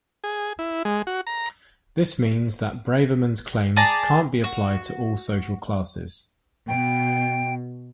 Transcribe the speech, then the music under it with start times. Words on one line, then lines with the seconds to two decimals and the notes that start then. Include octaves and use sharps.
This means that Braverman's claims can't be applied to all social classes.
0.24 G#4
0.59 E4
0.85 G#3
1.07 F#4
1.27 A#5
3.76 G#4 D5 A5 A#5
4.44 F#4
6.68 B2 G5